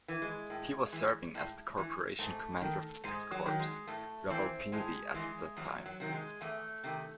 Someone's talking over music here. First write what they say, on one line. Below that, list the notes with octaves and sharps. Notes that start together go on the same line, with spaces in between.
He was serving as the Corporation Commander of X Corps, Rawalpindi at that time.
E3
G#3
A2
E3
A2
E3
G#2 A3
D#3
G#2 G#3
F#3
D#3
G#3
A2 A3
E3 C4
A2 G#3
E3 G#3
E2 F#3
F#3
C3 D#3
G#3
E2 A3
C3 D#3